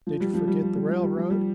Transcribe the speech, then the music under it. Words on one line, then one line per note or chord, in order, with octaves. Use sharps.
Did you forget the railroad?
F3
G3
F3
G3
F3
G3
F3
G3
F3
G3